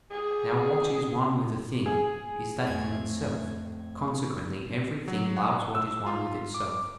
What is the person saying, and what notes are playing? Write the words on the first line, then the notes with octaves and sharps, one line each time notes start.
Now what is one with a thing, is that thing itself: consequently every thing loves what is one with itself.
G#4
G#4
F2 A2 G#6
F#3
F#5
E6
F4
D6